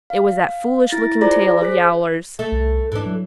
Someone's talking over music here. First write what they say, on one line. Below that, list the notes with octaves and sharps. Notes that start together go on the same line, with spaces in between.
It was that foolish looking tail of Yowler's.
F5
E4 A6 A#6
F4 G#4 C5 D5 A#5 A#6
G#4 C5 B6
A3
C2
G#2 E3 D4
F#3